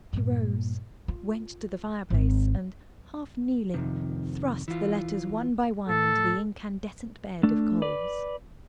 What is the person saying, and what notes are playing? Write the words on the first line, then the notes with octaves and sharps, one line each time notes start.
She rose, went to the fireplace and, half kneeling, thrust the letters one by one into the incandescent bed of coals.
G2 A#2
F4
G#1 C4
F2 C3 D#3
E3 F4
A2 A4
A3 D4
B4 D5